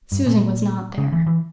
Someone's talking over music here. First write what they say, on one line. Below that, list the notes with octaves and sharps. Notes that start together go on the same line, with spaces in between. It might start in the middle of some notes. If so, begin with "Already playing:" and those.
Susan was not there.
G2
A#2
C#3
E3
E3